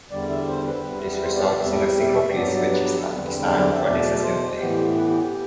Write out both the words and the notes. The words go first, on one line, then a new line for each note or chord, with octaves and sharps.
This results in a single piece which is not designed for disassembly.
E2 D3 G3 D5
E5
C5
B4
E2 C3 G3 B3
C5
D5
D5
E2 C3 G3 E5
E5
D5
E5
G2 F#3 B3 D5
D5
B4
B4
G4
A4
E2 D3 G3 C4 B4
D5
D5
E5
E2 B2 A3 D5
C5
A2 E3 B3 G4
B4
G4
G4